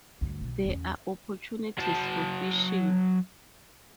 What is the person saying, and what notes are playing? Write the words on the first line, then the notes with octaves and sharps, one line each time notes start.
There are opportunities for fishing.
D2 G2
B1
E2 C#4
F#3 A5